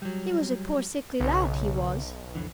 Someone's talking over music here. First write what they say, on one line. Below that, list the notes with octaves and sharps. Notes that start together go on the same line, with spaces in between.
He was a poor sickly lad, he was!
F#3 G3
B1 C#3 C#5
F2 D3 E3